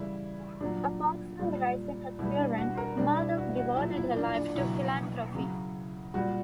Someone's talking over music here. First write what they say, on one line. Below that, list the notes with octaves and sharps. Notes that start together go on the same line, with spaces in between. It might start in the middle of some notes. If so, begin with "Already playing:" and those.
Apart from raising her children, Murdoch devoted her life to philanthropy.
Already playing: C#3 E3 G3 E4
A#2 F#3 D4
A#2 G3
B2 G3 E4
D4
F#4
A#4
B2 G3 D4
E4
F#4
F#4
A#2 F#3 E4
E4
D4
D4
B2 F#3 E4
C#3 F#3
A#2 G3 F#4